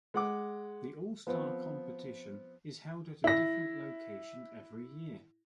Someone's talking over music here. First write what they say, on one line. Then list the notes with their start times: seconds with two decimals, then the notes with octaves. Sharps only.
The All-Star Competition is held at a different location every year.
0.14 G#3 F#5 D6
1.27 F3 B3 C4
3.24 E4 A#6